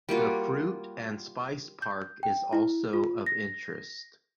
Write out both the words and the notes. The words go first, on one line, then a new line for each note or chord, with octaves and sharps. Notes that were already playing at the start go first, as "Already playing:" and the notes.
The Fruit and Spice Park is also of interest.
G3 A#3 F4 F#4
G6
G5
E4
F4
A#6